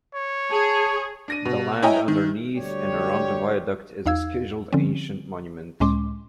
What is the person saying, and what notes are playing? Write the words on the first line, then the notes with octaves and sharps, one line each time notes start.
The land underneath and around the viaduct is a scheduled ancient monument.
C#5
G#4 A5
D4 A#6 D#7
B2
E4 C#5 D#5 G5 G#5 A#5
D#3
D2 G3 G4 C#5
E2 D#4 F5 E6 G#6
D3 F3 C4 C#4
C#2 A2 G#3 C#4 C6 D6